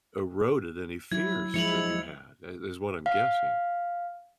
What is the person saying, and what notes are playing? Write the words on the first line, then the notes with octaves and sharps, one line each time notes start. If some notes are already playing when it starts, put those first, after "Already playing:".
eroded any fears that you had i is what I'm guessing.
F#3 E4 G#6
F3 G#3 E4 C#7 F7 F#7
F5